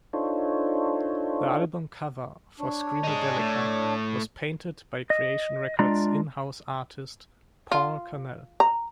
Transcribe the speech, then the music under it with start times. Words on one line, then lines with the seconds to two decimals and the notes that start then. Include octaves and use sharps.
The album cover for "Screamadelica" was painted by Creation Records' in-house artist Paul Cannell.
0.13 D4 D#4 F4 A4 C5 C#5
2.60 D4 C#5
3.03 D#4 G#4
3.38 A2
5.10 D#5
5.79 G#3 D4 F4 D5 A#5
7.72 F4
8.60 A#5